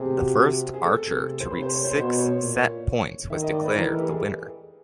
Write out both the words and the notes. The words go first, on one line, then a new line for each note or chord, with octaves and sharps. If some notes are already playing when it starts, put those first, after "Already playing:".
The first archer to reach six set points was declared the winner.
Already playing: C3 G#4
F#4
G4
G#4
A4
C3
C5
C3 B4
C5
C#5
C5
B2 C5
C#5
A#2
D#3 E5
D#5
D5
B4
E3 A#4
A4
G4
G#4